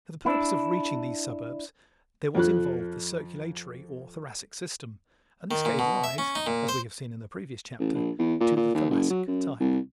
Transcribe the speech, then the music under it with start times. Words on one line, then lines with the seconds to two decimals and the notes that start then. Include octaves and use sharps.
For the purpose of reaching these suburbs there was involved the circulatory or Thoracic system, and this gave rise, as we have seen in the previous chapter, to the Thoracic type.
0.25 D4 E4
2.35 F2 F3 F#6
5.51 D#3
5.65 A#2
5.79 B2
6.04 E5
6.18 C#4
6.35 D#4
6.47 A#2
6.69 C5
7.80 A1
7.95 A#1
8.19 E2
8.40 A#2
8.56 A#2
8.75 D#2
8.91 F#1
9.10 F#3
9.27 F#2
9.60 C2